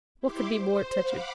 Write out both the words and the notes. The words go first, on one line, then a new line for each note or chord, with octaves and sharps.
What could be more touching?
E4 G4 C6 D6
C5
F5 F#5 B5 D6